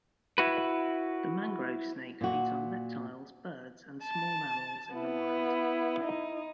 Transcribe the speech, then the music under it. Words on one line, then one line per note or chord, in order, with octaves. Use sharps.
The mangrove snake feeds on reptiles, birds, and small mammals in the wild.
E4 F#4 B4
A#2 F#4
A5
B3 E4
D#4